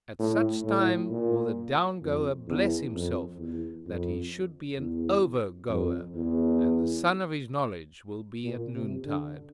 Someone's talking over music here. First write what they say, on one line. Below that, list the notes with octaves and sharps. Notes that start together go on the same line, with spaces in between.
At such time will the down-goer bless himself, that he should be an over-goer; and the sun of his knowledge will be at noontide.
A2
A2
A#2
F2
E2
F2
E2
F2
E2
F2
E2
A#2
C3
D3